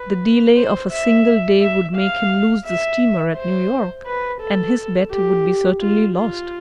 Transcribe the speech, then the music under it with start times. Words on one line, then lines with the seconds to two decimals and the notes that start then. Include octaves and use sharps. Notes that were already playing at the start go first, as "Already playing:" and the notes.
The delay of a single day would make him lose the steamer at New York, and his bet would be certainly lost.
Already playing: B4
0.56 C5
0.91 E5
1.61 E5
1.96 F5
2.66 E5
3.36 C5
4.06 B4
4.41 A4
5.11 G4
5.81 F4
6.17 F4